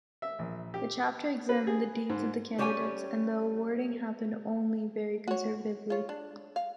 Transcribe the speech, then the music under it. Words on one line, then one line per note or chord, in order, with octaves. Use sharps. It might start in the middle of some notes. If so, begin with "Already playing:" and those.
The chapter examined the deeds of the candidates and the awarding happened only very conservatively.
E5
A#1
G4
B4
G#4
G#2
G3 C#4 G4 C#5 G5 G#5
F#4 C#5
F4 C#5
D4
F5